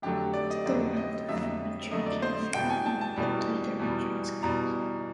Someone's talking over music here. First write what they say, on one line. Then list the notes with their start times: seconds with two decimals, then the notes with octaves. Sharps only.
Today anthropometry can be performed with three-dimensional scanners.
0.02 F2 D3 F#3 A3 G4
0.33 D5
0.50 D#5
0.66 F2 D3 F#3 A3 D5
0.97 D#5
1.28 F2 D3 F#3 A3 E5
1.91 F2 D3 F#3 A3 D#5
2.06 D5
2.22 C5
2.53 E2 B2 G3 G5
2.70 G#5
2.86 A5
3.01 A5
3.16 E2 B2 G3
3.79 E2 B2 G3
4.42 E2 B2 G3 A#5